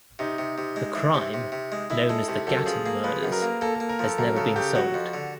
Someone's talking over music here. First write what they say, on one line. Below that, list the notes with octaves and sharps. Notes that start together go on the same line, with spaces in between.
The crime, known as the Gatton murders, has never been solved.
C3 D#4
C3
C3
G#3
E3
C3
C3
C3
G#3
G#3 E4
G#3 A4
C3 A4
F#2 A4
F3 G#4
A#3 G#4
F3 B4
F#2
A#4
A#3
A#3 A4
A4
A#3
A#4
F3 A4
F#2 A#4
C#3 A4
C#3 G4
F#3 F#4
F2
D3